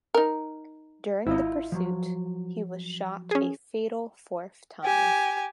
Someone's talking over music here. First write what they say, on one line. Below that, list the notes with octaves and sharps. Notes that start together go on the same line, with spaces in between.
During the pursuit, he was shot a fatal fourth time.
D#4 A#4
G#1 E4 F4 D#5
F3 F#3
C#4 G#4
G4 G#5